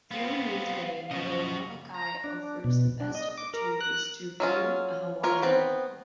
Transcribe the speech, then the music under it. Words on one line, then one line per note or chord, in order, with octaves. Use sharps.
Few remain today, although Molokai offers the best opportunities to view a Hawaiian "loko".
B3 C4 F5
F#2 C#3 F#4 D#5
A#5
D4
B2
D4
D#5
D6
A#4
F#6
F#3 C#4 F4
F4 A#4 C#5
B3 C4